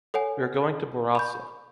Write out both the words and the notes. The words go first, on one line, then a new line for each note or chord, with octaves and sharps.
We are going to Borrassà.
A4 C#5 F#5 G#5
B5 C#6 G6